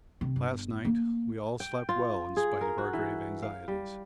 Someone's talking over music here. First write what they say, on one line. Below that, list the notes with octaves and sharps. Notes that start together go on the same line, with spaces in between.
Last night we all slept well in spite of our grave anxieties.
C3
G1
A#3
G5
F4
G#4
A#4
F#4
E3
F5
G3